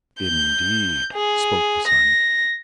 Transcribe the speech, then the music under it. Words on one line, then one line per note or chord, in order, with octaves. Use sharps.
'Indeed!' spoke the Sun.
G6
G#4
A#6